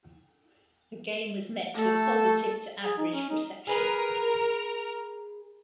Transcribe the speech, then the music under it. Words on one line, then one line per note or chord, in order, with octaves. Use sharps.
The game was met with positive to average reception.
A3 A4
G#4
D#4
C#4
D#4
G#4 A#4 B4 F6